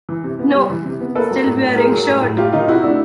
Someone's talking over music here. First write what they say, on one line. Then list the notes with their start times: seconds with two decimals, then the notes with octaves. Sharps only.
No, still wearing shirt.
0.09 E3
0.24 C3
0.39 B3
0.55 G3
0.70 E3
0.85 C3
1.00 B3
1.15 A#3 A4 B4
1.31 F#3
1.47 A2
1.61 A2
1.76 A#3 G#4 A#4
1.92 F#3
2.07 A2
2.22 A2
2.37 F#3 F4 G4
2.53 D#3 D#4 F4
2.67 C3 E4 F#4
2.83 A3 D4 E4